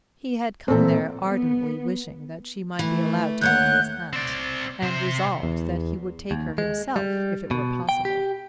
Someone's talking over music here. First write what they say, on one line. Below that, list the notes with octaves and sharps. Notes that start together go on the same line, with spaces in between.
He had come there ardently wishing that she might be allowed to go to his aunt, and resolved that he would take her himself if it were possible.
A#2 E3 C4 A4
B3
E3 A3
D#2 C#5 F#5 F#6 G6
C4 D5
C3 C5
E2
D#2
G#3
G3
B2
G5
G4